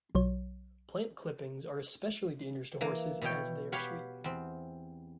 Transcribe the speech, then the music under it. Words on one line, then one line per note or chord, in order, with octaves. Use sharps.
Plant clippings are especially dangerous to horses, as they are sweet.
B1 F#3 C#5
E3 A#3
B2 E3 C#5 G5
G4 B4 C#5 F5 F#5
E2 C4